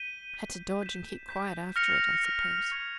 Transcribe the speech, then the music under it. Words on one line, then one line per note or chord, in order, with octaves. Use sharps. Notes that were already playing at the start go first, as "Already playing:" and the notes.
Had to dodge and keep quiet after it, I suppose.'
Already playing: G6 B6 D#7 G7
G6 B6 D#7 G7
G6 B6 E7
G6 B6 E7
F6 A#6 C#7 F7
F6 A#6 C#7 F7
C#6 F6 G#6